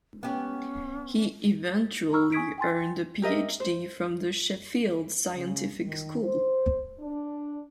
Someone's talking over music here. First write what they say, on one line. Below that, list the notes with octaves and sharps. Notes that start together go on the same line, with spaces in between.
He eventually earned a Ph.D. from the Sheffield Scientific School.
B3 C#4 G4
A6
A#5 B5 C#6 E6 F6
G#5 C#6 D#6 G#6 B6 D7
G5 G#5 C6 A6
G4 A#4 D#5 E5
C5
C#3
D#3
C5
D4